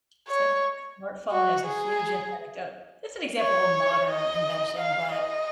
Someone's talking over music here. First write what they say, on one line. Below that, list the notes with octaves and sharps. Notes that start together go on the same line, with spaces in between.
It's like the smartphone is a huge impact o it's an example of a modern invention, but,
C#5
F#4
G#4
C#5
D#5
F5
D#5